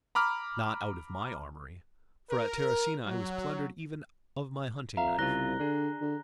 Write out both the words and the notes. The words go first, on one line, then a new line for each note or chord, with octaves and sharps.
"Not out of my armory, for at Terracina I was plundered even of my hunting-knife."
A#5 B5 D6 F6
A#4
F#3
F2 E5 F5 A#5
C2 C#3 C4 F4 F#6 A#6 G7
D3 D4 G#4
D3